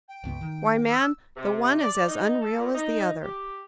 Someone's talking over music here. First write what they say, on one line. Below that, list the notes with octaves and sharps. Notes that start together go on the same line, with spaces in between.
Why, man, the one is as unreal as the other.
G5
G1 C#2 B3
D#3
E6
C3
D5
D#4
A4
A#2
D#4
G4